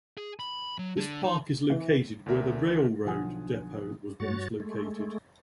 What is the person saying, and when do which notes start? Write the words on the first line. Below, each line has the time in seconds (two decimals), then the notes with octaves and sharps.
This park is located where the railroad depot was once located.
0.18 G#4
0.40 B5
0.79 F#3
0.97 D3
1.24 D#4
1.70 E3
2.26 D2 D3 A#4 E5
3.05 B1 D3 F3 F#5 G#5 D#6
4.20 G2 F#4 C#5 A6
4.60 G#3 A3